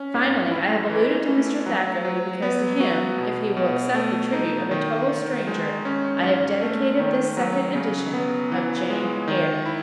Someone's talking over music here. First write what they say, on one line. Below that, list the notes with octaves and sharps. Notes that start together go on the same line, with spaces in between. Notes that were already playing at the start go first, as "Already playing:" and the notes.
Finally, I have alluded to Mr. Thackeray, because to him--if he will accept the tribute of a total stranger--I have dedicated this second edition of "JANE EYRE."
Already playing: C#4
G#2
E4
E3
A3
F#3
F#3
B3
F#4
B2
B2
A3
D#4
D#3
D#3
G#3
C#4
G#2
A3
D#3
F#3
C#3
B3
E3
G#3
D#3
E4